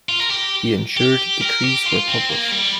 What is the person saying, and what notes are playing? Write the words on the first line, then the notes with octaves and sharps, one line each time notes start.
He ensured decrees were published.
F4
A#4
G4
G4
A#4
G4
F4
C4
A#3
G3